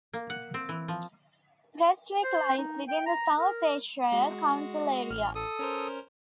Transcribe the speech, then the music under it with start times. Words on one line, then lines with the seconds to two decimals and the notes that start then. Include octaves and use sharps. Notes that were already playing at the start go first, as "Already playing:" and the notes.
Prestwick lies within the South Ayrshire Council area.
0.13 A#3
0.30 F#5
0.54 C4
0.69 E3
0.88 F3
2.23 C5
2.58 D#4
2.88 G5
3.06 A#5
3.38 A#4
4.12 G#3 F#4
5.11 A1 F6
5.35 A4 D#6
5.59 C#4 A#4 C5